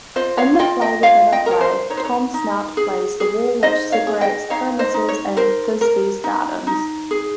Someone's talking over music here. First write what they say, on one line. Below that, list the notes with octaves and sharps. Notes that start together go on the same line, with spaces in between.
In the play-within-a-play, Tom Snout plays the wall which separates Pyramus' and Thisbe's gardens.
F4 C5 D#5
C#5 F5
F4 D#5 G5
D#5 G5
F4 C#5 F5
D#5 G5
A#4 C#5
C5
D#4 C#5
C5
C#5
D#4
G#4
G#4
D#4 C5 D#5
C#5 F5
G#4
D#5 G5
D#4 C#5 F5
C5 D#5
D#4
C#5
A#4 C5
A#4
D#4
D#4
G#4